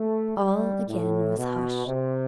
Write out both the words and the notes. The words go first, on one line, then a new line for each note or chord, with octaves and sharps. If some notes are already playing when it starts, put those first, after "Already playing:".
All again was hushed.
Already playing: A3
G3
A2
B2
C3